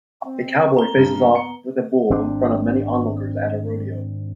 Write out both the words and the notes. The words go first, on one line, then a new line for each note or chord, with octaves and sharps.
A cowboy faces off with a bull in front of many onlookers at a rodeo.
C4
A#5 G7
G2 C#3
B3
C#7
G#1 C4 D4